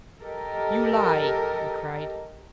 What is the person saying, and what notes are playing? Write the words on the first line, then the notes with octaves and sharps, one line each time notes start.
"You lie!" he cried.
G4 A4 A#4 D#5